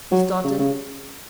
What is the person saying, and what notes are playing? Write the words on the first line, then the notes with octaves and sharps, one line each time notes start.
He started.
F#3
C#3
C#3